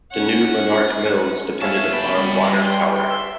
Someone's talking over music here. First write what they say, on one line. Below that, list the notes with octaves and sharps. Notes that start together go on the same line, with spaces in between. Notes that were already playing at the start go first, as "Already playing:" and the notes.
The New Lanark mills depended upon water power.
C#4 F#5
F2 C#5 E5 F5 G#5 A5
C#3 B3 G5 A5 B5
G3
G#3 B3
G5 C6
E5